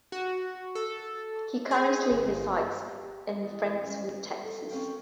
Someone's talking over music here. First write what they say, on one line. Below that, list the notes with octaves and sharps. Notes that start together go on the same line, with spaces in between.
He currently resides in Friendswood, Texas.
F#4
A4
G#4
G1
G4
E2 E4 D5 D#5
C#4 C5 F5
B3
A4
C4 C#4 A4 A#4 F5 G5